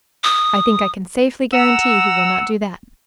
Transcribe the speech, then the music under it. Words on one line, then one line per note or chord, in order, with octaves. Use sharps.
"I think I can safely guarantee he will not do that."
D#6
F#5 A#5 E6